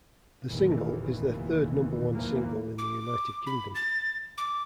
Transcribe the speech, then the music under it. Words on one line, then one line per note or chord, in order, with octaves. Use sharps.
The single is their third number one single in the United Kingdom.
F1 D#2 A#2 E3
D#2 A#2 E3 F3 A#3
D6
B5
A6
D6